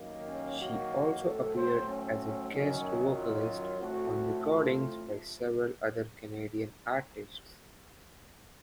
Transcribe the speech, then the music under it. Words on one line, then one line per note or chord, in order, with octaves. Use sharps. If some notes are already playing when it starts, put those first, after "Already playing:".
She also appeared as a guest vocalist on recordings by several other Canadian artists.
Already playing: F#2 D#3 A#3
C#4
F#4
A2 F#3 C4 A4
C5
C#4
F#2 D#3 F#3 C#4
F4
A2 A3 C4 F#4
F4